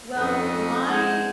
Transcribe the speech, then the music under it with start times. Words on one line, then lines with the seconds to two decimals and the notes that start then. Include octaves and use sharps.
Well, my
0.17 F2 C#4 D#4 A4
0.89 G#3 F#5 G#6